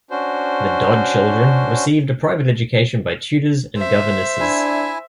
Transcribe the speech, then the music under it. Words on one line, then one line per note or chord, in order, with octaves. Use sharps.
The Dod children received a private education by tutors and governesses.
C#4 D4 F#4 C5
C5 E5
D4 E4 G#5